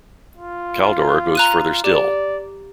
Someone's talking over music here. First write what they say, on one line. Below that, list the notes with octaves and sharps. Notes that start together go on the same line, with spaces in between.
Kaldor goes further still.
F4
A#5 F#6 D#7
G4 D5